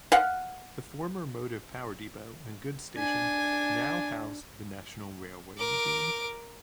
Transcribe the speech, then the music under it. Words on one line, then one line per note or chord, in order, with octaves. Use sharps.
The former motive power depot and goods station now house the National Railway Museum.
F5 F#5
D4 G#5
A#4 D6